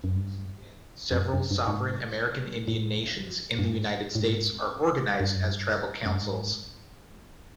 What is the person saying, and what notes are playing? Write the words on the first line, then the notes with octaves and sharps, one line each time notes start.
Several sovereign American Indian Nations in the United States are organized as Tribal Councils.
F#2
G2
F2
F#2
F#2
G2
G#2
A2
G2
G#2
A2
G#2
G2
F#2
G2
F#2
G2
G#2